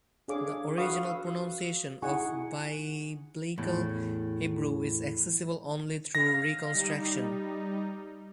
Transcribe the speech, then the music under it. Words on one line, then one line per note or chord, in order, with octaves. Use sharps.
The original pronunciation of Biblical Hebrew is accessible only through reconstruction.
D4 G#4 A4 C#5 F5 D6
F#4 B4 F5 C#6 D#6
E6
D#4 E4 G#4 F#5 G#5 C#6
E2 A2
F5 A#6
G3 D#4